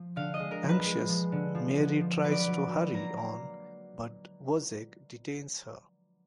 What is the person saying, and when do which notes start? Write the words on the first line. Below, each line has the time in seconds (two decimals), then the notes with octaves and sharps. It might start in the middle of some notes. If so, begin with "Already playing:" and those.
Anxious, Marie tries to hurry on but Wozzeck detains her.
Already playing: F3
0.16 D3 F5
0.34 D#5
0.39 G#3
0.51 A#4
0.63 F3
0.69 B4
0.85 G#3
1.09 F3
1.32 D3
1.55 F3
1.78 D3
2.01 F3
2.24 F#3 B4
2.31 D5
2.39 B4
2.48 F#3
2.71 F#3
2.94 A#3 A#5
3.17 A#3